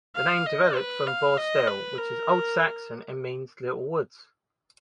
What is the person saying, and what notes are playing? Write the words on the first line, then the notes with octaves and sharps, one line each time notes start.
The name developed from "Borstel" which is Old Saxon and means "little woods".
F5
D#5
B4
F5
D#5
B4
A#4